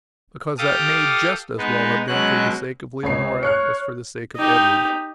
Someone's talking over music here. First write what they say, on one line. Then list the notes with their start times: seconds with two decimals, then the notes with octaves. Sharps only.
Because that may just as well have been for the sake of Leonora as for the sake of Edward.
0.58 G4 A4 F5 D6 D#6
1.58 G#3 B3 D#4
2.08 B2 F#3 G#3 C#4 F#6
3.03 C#2 C#5 C7
3.43 C#5 F6 F#6 C#7
4.36 D#4 G4